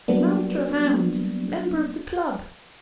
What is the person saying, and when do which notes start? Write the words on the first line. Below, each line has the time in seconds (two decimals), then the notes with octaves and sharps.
Master of hounds! member of the club!
0.08 F#3 G3 A#3 B3 D4